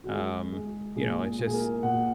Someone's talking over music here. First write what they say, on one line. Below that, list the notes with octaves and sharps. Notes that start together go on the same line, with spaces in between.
um, you know, it's just,
F#4
G#3 G#4
G#3
A#2 G#4
A#2
G#4
A#4
A#2 F#5